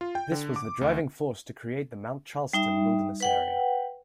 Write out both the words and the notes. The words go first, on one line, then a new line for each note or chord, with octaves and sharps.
This was the driving force to create the Mount Charleston Wilderness area.
F4
G5
D3
D6
D2
G3 D#4 E5
B4 F#5 G5